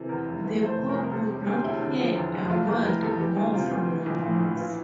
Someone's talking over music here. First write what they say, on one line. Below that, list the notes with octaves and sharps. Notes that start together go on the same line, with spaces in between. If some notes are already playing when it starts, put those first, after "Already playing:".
The Pope would not hear a word more from the monks.
Already playing: C3 E3 A4
E2 A#4
F1
E3
A3 C5
C3
A#4
C2
A#4
C3 A4
E1 G4
D2 G4
E1 E4
D3
F3
E2
F1
A3 F4
E2 G4
E3 A#4
E2 A4
E3 G4
D2
C3 F4
D2
E3
A#1
A2
A#1
E3 F4